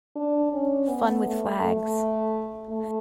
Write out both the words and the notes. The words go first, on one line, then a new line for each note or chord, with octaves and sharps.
Fun with flags.
D4
C#4
B3
A3
A3
A3